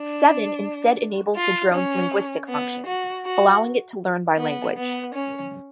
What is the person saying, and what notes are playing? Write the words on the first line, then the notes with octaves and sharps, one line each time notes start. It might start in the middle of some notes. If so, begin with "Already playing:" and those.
Seven instead enables the drone's linguistic functions, allowing it to learn by language.
Already playing: D4
F4
C#4
B3
F#4
F#4
B3
B3
C#4